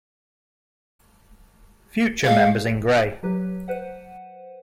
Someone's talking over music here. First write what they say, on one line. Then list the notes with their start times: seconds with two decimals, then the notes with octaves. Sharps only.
Future members in gray.
2.25 G#3 F5
3.23 F#3 G4 B4
3.68 B4 C5 F#5